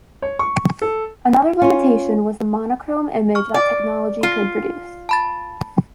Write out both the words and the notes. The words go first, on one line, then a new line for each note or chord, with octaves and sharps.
Another limitation was the monochrome image that the technology could produce.
C#5
C#6
A4
C#4 F4
C#6 F6
D5
F4
A5 B5 A6